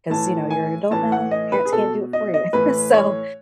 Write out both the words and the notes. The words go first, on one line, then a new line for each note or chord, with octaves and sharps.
'cause, you know, you're an adult now, parents can't do it for you. So,
A2 E3 A5
G#5
A2 E3 A5
F#5
D#5
B4
G#4
B2 A4
D#5
D#5
A2 E3 B4
C#5